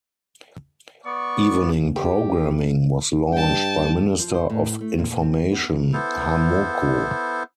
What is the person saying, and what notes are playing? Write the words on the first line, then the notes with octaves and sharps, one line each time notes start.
Evening programming was launched by Minister of Information Harmoko.
B3 D5 C#6
G4
G2 G5 A5
F3
C5
A2
A3
A#2
C4
B3
B3 E4 A4 C5